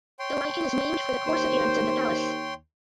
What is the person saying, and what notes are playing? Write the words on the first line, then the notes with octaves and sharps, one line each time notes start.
The lichen is named for the coarse appearance of the thallus.
C#5 G5 C6
D#2 C5